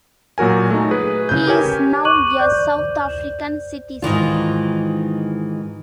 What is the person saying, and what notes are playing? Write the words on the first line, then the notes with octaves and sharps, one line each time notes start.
He is now a South African citizen.
A#2 F#3 F#4 A#4 G#5
A3 D#4
G#4 B4
C#3 B4 G6
G4 A#4 C#5 G#5
C#6 D6 F#6 D#7 F#7
C5 D5 G6
G#2 D#3 E3 F4